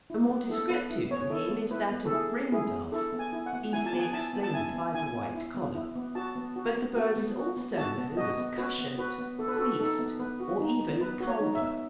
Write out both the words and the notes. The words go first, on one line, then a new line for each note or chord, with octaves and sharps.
A more descriptive name is that of ringdove, easily explained by the white collar, but the bird is also known as cushat, queest, or even culver.
E4
B3
E4 A4
B3 B4
E4
B3 C#5
E4 A4
B3
E4 B4
B3
A4
E4 G#4
B3
E4 G#4
B3
E4 A4
B3
G#5
E4
F#5
B3
E4 G#5
A5
B3
G#5
E4 A5
B3
A5
E4 G#5
B3
E4 G#5
B3
E4
B3
E4
B3
F#4 A5
B3
F#4
B3
F#4
B3
F#4
B3
F#4 A5
B3
F#4 D#5
B3
F#4 B4
B3
F#4 B4
B3
B3 A4
B4
A4
F#4
D#4 A4
B3
B3 B4
F#4
D#4
B3
B3 B4
F#4
C#5
D#4
E5
B3